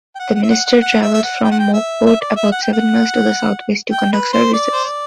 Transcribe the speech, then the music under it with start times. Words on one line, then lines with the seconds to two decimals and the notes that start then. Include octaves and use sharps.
The minister traveled from Mauckport, about seven miles to the southwest, to conduct services.
0.15 G5
0.19 F#5
0.35 F#5
0.43 E5
0.50 F#5
0.66 F#5
0.81 F#5
1.02 E5
1.14 E5
1.23 F#5
1.44 G5
1.51 F#5
1.59 G5
1.74 E5
2.06 E5
2.21 D5
2.36 E5
2.52 F#5
2.63 G5
2.73 F#5
3.91 G5
4.13 B4
4.33 C5
4.53 D5
4.73 C5
4.84 D5